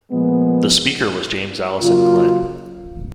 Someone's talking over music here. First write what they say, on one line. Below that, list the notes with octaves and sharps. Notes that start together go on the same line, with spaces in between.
The Speaker was James Allison Glen.
A#2 F3 G#3 B3
C#3 F#3 A#3 F4